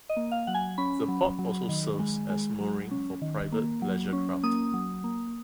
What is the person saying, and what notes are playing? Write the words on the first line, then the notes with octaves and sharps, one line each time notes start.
The port also serves as mooring for private pleasure craft.
D#5
A#3
F5
F#3 F#5
G#5
C#4 B5
F#3
F#3
D#3
G#3
G#3
F#3
C#4
D#3
A#3
F#3
C#4
A#3 D#6
F#3
A#3